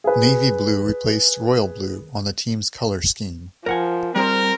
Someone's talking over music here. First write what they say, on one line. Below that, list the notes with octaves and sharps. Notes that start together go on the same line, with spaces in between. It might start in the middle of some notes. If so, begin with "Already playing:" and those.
Navy blue replaced royal blue on the team's color scheme.
G#4 B4
F3 A#4 F#5 G#5
G3 C4 G#4 A#4 C5